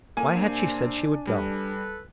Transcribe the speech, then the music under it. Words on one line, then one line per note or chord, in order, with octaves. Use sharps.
Why had she said she would go?
A#3 A4 G#5
C3 C4 D4
G3 A4 B4